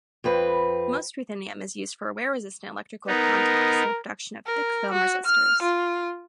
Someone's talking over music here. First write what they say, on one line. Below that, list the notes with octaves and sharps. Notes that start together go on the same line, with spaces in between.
Most ruthenium is used for wear-resistant electrical contacts and the production of thick-film resistors.
F2 C4 B4
B3 D#4 A#4
A#4
F#4
F6
F4